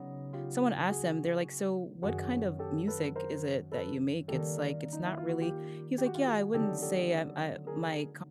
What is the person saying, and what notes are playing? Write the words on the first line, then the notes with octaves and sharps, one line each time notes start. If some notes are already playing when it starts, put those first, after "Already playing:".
someone asked him, they're like, "So what kind of music is it that you make? It's like it's not really" He was like, "Yeah, I wouldn't say, uh, uh, my
Already playing: C#3 F#3 B3 D#4
F4 G4
F#4 G#4
F#2 D#3 F#3 F#4 G#4
G4 A4
A4 B4
A#4 C5
A4 B4
D#3 G3 A#3 G4 A4
D#4
E4
F4
F#4
F4 G4
G4
F#4
F4 G4
F#4 G#4
D3 F#3 A3 C4 D#4 G4 A4
G4 A4
G#4 A#4